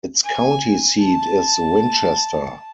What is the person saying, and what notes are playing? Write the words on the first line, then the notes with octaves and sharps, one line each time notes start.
Its county seat is Winchester.
G#5
A5